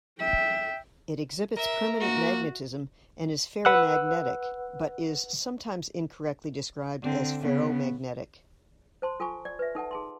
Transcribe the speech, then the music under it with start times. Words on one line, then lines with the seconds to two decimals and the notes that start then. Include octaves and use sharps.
It exhibits permanent magnetism and is ferrimagnetic, but is sometimes incorrectly described as ferromagnetic.
0.19 E5 G5
1.57 A#4 E5
2.00 A#3 F#4
3.65 B4 F#5 E6 F#6
7.03 D3 C4
7.41 C#3 B3
9.02 C5 A5 C6
9.20 F4 A4 G#5 B5 C#6
9.45 D5
9.59 B4 E5
9.75 D#4 A4 F#5 A5
9.91 G#4 A5 C6